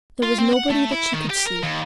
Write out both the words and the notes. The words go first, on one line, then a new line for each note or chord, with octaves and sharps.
There was nobody that she could see.
F4
C4
F#5
A3
E4
D#3
G4
A#4
D#2